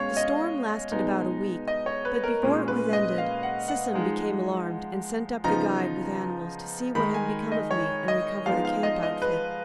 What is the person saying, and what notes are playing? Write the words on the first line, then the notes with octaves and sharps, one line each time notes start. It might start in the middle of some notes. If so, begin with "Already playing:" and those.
The storm lasted about a week, but before it was ended Sisson became alarmed and sent up the guide with animals to see what had become of me and recover the camp outfit.
Already playing: B2 G#3 C#4 C#5 F5
D#5
B2 G#3 B3 D#4
D#5
C#5
B4
A#4
A#2 G#3 C#4
B4
D#5
F5
F#5
F#5
F3 G#3 D#4
C#3 F3 B3 D#4 A#5
D#3 G#3 D#4 B5
G#5
D#5
C#5
D#5
F3 G#3 B3 D#4 F5
F5
D#5
D#5
B4